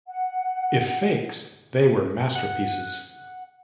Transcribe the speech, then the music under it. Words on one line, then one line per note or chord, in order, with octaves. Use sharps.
If fakes, they were masterpieces.
F#5
F#5